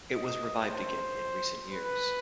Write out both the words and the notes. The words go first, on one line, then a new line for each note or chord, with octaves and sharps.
It was revived again in recent years.
D#5
C5
B4